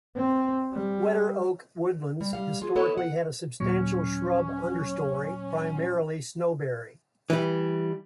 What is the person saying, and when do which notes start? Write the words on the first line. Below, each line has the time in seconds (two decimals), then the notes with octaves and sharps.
Wetter oak woodlands historically had a substantial shrub understory, primarily snowberry.
0.16 C4
0.73 G3
2.21 G3
2.33 G3 F5
2.62 F4 G#4
2.76 B3 E4 A4 C#5 D#5
2.97 F#5
3.60 D#2 A#2 F#3 C#4
7.30 E3 G3